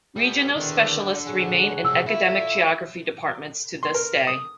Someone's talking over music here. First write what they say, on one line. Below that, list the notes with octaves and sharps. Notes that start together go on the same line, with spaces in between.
Regional specialists remain in academic geography departments to this day.
G3 B3
E2 D3 D#3
F#3 G#4 F#5
C2 F3 E6
A3 E4 F4 E5
C6
A#4
D#6